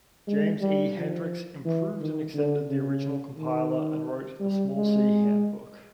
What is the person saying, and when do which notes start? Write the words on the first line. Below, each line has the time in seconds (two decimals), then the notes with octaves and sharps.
James E. Hendrix improved and extended the original compiler, and wrote "The Small-C Handbook".
0.28 G#3
0.61 G3
0.96 F3
1.65 E3
2.00 D#3
2.34 D3
2.68 C#3
3.38 D#3
4.40 G3
4.76 G#3